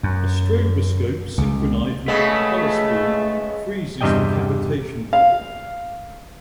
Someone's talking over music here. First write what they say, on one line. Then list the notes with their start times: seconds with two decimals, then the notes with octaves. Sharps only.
A stroboscope synchronized with the propeller speed "freezes" the cavitation bubble.
0.03 F#2
1.38 C#2
2.08 C#3 G#3 A3 B3
4.01 E2 G2 C3 G3 D#5 G5
5.13 F5